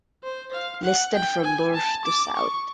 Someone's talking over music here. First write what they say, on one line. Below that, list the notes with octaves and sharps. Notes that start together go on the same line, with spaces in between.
Listed from north to south.
C5
F5
F#5
G5
G#5
A5
D6
C#6